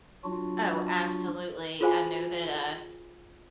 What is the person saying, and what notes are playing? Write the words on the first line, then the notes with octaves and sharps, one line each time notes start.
Oh, absolutely. I know that, uh,
F#3 D4 F4 F#4
F4 F#4 G#4 C5 G#5